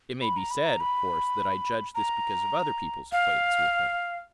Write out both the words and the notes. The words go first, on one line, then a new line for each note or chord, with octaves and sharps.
It may be said, of course, that I judge this because of other people's acquaintance with him.
B5
A#5
B5
A#5
B5
A#5
F5